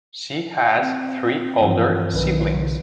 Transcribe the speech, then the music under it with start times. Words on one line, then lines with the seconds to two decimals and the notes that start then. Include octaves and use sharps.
She has three older siblings.
0.80 C4
1.61 G2 E3 F3
2.14 B1 D#3 B4
2.51 C#3